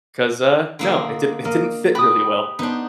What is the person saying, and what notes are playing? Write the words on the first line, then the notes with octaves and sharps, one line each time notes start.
'cause, uh, no, it didn't it didn't fit really well,"
D3 A#3 D#5
A#3 D#5
G4 B4 B5 D#6
B3 D4 D#4 C5